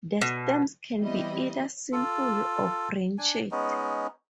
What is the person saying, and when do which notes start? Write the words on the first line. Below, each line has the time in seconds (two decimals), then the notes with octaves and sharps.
The stems can be either simple or branched.
0.21 B2
0.98 E3 G3 B3 C4 E4 D#5
1.92 F4 A4
3.18 D4 G#5
3.51 G#3 B3 C#4 D#4